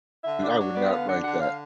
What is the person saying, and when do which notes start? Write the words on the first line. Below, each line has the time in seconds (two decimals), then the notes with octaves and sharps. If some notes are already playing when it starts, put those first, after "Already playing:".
I I would not write that.
0.24 D3 E5
0.41 D4
0.58 F#3
0.75 B3 D5
0.91 D3 F5
1.08 D4 F#5
1.24 D3 F#5
1.41 D3 F5